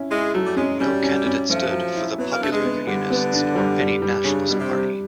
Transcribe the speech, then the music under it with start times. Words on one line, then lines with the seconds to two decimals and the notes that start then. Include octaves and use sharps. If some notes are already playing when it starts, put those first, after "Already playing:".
No candidate stood for the Popular Unionists or any nationalist party.
Already playing: C#4 E4
0.11 G#3 E4
0.34 F#3 A3
0.46 G3
0.57 G#3 C#4
0.80 G3 C#4
1.03 C#4
1.26 C#4
1.49 F3 A3
1.72 F#3
1.95 E4
2.18 F#3 B3
2.33 A#3
2.41 A3 D4
2.52 G#3
2.65 B3
2.87 D3 G3
3.10 B3
3.33 D4
3.56 G3
3.79 G3
4.02 G3
4.24 C#3 D4
4.48 B2 G3
4.59 C3
4.71 G3